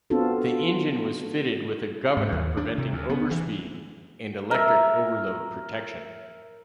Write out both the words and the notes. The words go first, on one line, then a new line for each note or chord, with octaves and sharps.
The engine was fitted with a governor preventing overspeed, and electric overload protection.
B3 C4 D4 F4 F#4 A4
G#2
D#2
D4
C3
D2
B3
E3
A#4 E5